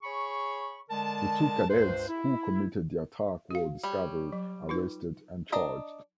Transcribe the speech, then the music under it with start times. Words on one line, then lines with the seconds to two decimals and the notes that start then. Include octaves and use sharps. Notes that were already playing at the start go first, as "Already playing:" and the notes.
The two cadets who committed the attack were discovered, arrested and charged.
0.03 G#4 C#5 B5 C#6
0.89 D3 G#3 A#4 D5 A5
1.69 C#2 G2 B4 C5
2.08 E4
3.51 F#4 F5
3.83 G3 C#5
4.32 F#3
4.69 D#4 F4 B4
5.52 D4 D#5 A#5